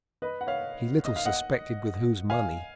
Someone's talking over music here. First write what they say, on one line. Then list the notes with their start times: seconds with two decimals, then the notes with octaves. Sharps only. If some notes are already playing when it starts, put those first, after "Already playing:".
He little suspected with whose money.
0.22 B4 D#5
0.41 F#5
0.47 C#5 F5
1.05 D#5
1.16 F5
1.25 D#5 F#5
2.30 F5 G#5